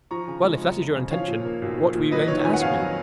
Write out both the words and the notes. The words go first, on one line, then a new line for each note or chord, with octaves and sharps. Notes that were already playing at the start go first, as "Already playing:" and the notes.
"Well, if that is your intention--what were you going to ask me?"
F3 A#5 C#6
C#3
G#3
F2
F3
C#3
F3 C#5 F5
A#2
A#3
B1
F3
A#2
F#3 B4 D#5
D#3 C#5
F2 G#5
F#5
F2 C#5 F5
F#3